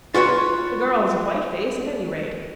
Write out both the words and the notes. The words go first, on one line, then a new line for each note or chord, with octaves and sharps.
The girl's a white face at any rate.
F4 F#4 B4 C#5